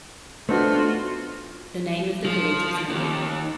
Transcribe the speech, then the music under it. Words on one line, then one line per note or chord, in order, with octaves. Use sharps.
The name of the village was Molin.
A3 B3 D4 D#4 F4 F#4 C5
F3
D#2